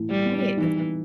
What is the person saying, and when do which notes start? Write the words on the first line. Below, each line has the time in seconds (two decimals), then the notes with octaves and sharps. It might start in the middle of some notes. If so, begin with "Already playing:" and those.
Right. That's
Already playing: A2 E3
0.10 G3
0.26 B3
0.57 E3 D#4